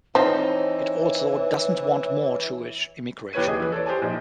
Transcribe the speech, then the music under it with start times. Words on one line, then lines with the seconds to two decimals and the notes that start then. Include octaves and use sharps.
It also doesn't want more Jewish immigration.
0.15 E3 F3 C4 D#4 C#5
3.33 D#2 E4 B4 C#5 G#6 D#7
3.47 D#2 G#4 D#5
3.60 E3 B4
3.72 A4 C#5 D5
3.86 G4 C5 D5 G#5 A5
4.02 A#1 D#4